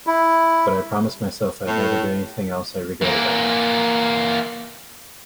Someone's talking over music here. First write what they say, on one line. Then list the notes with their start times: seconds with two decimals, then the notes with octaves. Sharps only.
But I promised myself I'd never do anything else I regretted that much.
0.07 E4
1.67 A2
3.02 E3 A#3